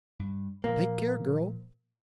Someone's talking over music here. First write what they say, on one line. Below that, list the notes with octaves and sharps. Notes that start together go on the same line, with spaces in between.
"Take care, girl!"
G2
A#2 F3 A#3